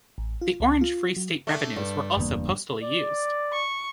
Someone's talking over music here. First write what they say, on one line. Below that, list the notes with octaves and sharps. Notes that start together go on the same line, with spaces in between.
The Orange Free State revenues were also postally used.
A1
F4
C#2
F4
F#3
A3 D4
G2
F#1 E2 A#3
D5
C#6